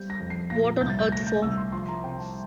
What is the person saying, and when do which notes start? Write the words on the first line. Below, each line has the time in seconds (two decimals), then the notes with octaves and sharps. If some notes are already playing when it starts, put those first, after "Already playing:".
What on earth for?
Already playing: G3 C4 G6
0.10 A#6
0.20 F2
0.30 C7
0.50 A#2 A#6
0.81 C2 G6
0.90 A6
0.99 G6
1.12 A3 A#6
1.27 G6
1.42 C2 E6
1.57 C6
1.72 F3 C6
1.88 A#5
2.03 C3 G5
2.19 A5